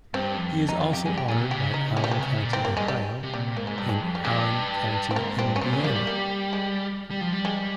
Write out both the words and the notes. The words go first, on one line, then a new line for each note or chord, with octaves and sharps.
He is also honored by Allen County, Ohio, and Allen County, Indiana.
G2 C4
F2
D#4
F4
G4
G2 G#4
G4
A#2 G#4
C3
C#3 G4
D#4
C3 G#3
G3
G#3
C#3
A#2
G#2 C4
G2 A#3
G2 G#3
G3
C3
A#2 G3
G#2 A#3
G#3
G2 G3
G#3
F2
G3
G2 G#3
C4
G#2 A#3
G2 C4
C#4
A#2 C4
C#4
G3 A#3
G#3
A#3
G#3
G3
F3
G3
G#3